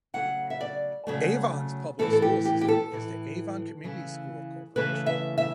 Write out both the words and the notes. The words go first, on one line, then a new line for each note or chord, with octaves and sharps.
Avon's public school system is the Avon Community School Corporation.
C#3 F#3 A3 F#5
E5
D5
C#3 F#3 A3
A2 E3 A3 A4
A4
G4
G4
G4
A4
A2 E3 A3
C#3 E3 A3
C#3 E3 A3 B4
E5
E5